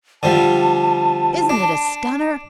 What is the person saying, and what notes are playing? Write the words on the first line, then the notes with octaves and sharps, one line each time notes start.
Isn't it a stunner?
D3 F3 G3 A5
D4